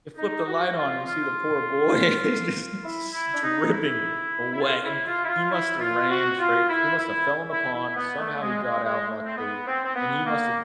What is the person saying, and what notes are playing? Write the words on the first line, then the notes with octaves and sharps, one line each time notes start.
You flip the light on, you see the poor boy just s dripping wet, and he must've ran straight f he must've fell in the pond, somehow he got out luckily, and he must've
D#4
F#4
F4
F4
E4
E4
D4
D#4
E4
E4
F4
E4
F4
E4
F4
E4
F4
F#4
F4
E4
E4
E4
E4
B3
A3
G#3
G#3
G#3
A3
C4
B3
C4
C4
B3
A#3